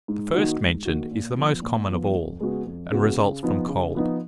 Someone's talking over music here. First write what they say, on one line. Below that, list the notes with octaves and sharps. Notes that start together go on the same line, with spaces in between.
The first-mentioned is the most common of all, and results from cold.
G#2
D#3 A#3 D#4 F#4
G#2
D#3 A#3 D#4 F#4
A#2
F3 B3
A#2
F3 B3
F2
C#3 G#3 B3 F#4
F2
C#3 G#3 B3 F#4
C#3
F3 B3 D#4
C#3
F3 B3 D#4